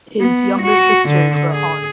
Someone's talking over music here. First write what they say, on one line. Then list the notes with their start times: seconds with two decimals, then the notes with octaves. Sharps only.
His younger sisters were Hon.
0.20 B3
0.62 F#4
1.09 D3
1.52 G#4